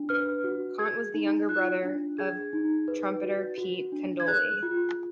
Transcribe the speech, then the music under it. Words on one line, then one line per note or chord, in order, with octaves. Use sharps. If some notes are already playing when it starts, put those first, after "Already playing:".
Conte was the younger brother of trumpeter Pete Candoli.
Already playing: D4
B4 F6
F#4
G#4 G#6
D#4
F4 F#6
D4
G#4 G#6
D#4
B4
F#4
F#4
D4
G#6
G#4 F#6
F4